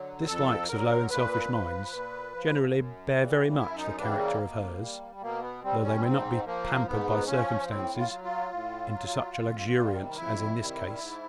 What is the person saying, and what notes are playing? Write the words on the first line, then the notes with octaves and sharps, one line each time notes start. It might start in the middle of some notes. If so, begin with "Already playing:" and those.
The dislikes of low and selfish minds generally bear very much the character of hers, though they may not be pampered by circumstances into such a luxuriance as in this case.
Already playing: D3 F#3
F2 A4
D3 F#3 A#4
A#2 B4
F3
A#2
F3
F#2
C#3 E3 G3
F#2 E4
D#4
C#3 E3 G3 D4
A#3
B2
G3
B2 A#3
B3
G3 C4
C#4
G#2 C4
F3 A#3
G#2 B3
F3 C#4
A2 C4
F4
F#3
F4
A2
F#3
F2
C3 D#3 G3
F2 E4
C3 D#3 G3
G#2